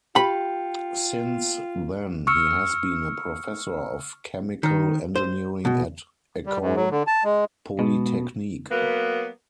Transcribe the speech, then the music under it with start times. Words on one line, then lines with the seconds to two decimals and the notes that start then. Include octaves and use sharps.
Since then, he has been a professor of chemical engineering at Ecole Polytechnique.
0.16 F4 G4 G5 B5
2.27 C#6 E6 F6 C#7
4.63 D#3
5.16 C5
5.65 B2
6.46 G3
6.61 F#2
6.76 F#3
6.91 D3
7.07 A5
7.24 G#3
7.79 B2 G#3
8.70 F#3 A#3 B3